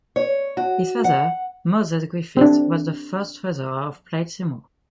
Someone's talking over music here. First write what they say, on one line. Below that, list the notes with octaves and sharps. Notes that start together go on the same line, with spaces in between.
His father, Moses Griffith, was the first Treasurer of Plaid Cymru.
C#5
F#4
F#5
C4 D4